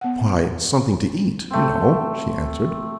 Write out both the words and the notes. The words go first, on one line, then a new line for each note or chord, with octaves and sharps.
"Why--something to eat, you know," she answered.
B3 F#5
A3 C4